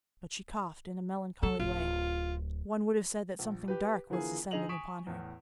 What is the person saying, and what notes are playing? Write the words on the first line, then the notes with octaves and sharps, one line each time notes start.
But she coughed in a melancholy way. One would have said that something dark was descending upon her.
F#3 A4
D1 F4
A#1
G4 B4
D3 E3 F3 A#3 G#4
D3 D#4 G#4 D#5 F7 F#7
G#5 C#6 D#6 B6 D7 E7
E2 A2